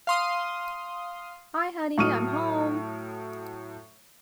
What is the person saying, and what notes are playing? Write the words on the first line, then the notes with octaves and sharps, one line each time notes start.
Hi Honey, I'm Home!
F5 C6 D#6
A2 F#3 C#6 D#6 F6 D#7